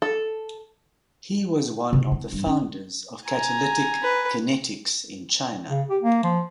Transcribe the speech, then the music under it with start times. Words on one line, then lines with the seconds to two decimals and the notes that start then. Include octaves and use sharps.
He was one of the founders of catalytic kinetics in China.
0.02 A4
1.93 C3
2.12 B3
2.33 G2
2.47 C#4
3.27 G#5 A#5
4.03 B4
5.69 C#3
5.90 G4
6.02 A#3
6.23 F3